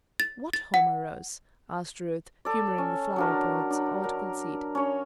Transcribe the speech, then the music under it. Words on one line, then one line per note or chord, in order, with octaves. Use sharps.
"What Homer rose?" asked Ruth, humoring the flower-poet's odd conceit.
A6
A6
F#5
A4 D5
C#4
F#3 D4 A#4
D4
A#4
C#4 C#5